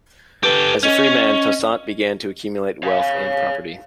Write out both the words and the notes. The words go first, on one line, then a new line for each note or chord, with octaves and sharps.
As a free man, Toussaint began to accumulate wealth and property.
G4 A4 B4
C#4 D#5
C#5 F5